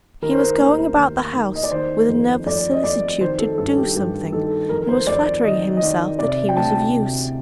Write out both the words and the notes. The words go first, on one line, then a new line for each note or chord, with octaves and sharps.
He was going about the house, with a nervous solicitude to do something, and was flattering himself that he was of use.
D#3 A#4
C5
A#4
D#2
D#2
D#2
D#5
D5
D#3 C5
F2
F2 D5
D#5
F2 D5
D#3 C5
A4
G2 A4
G4
G2 G4
D#3 A4
F2 A#4
C5
F2 D5
D#3 D#5
D#5
D#3 D5
C3 D5
G5
D2 A5
C3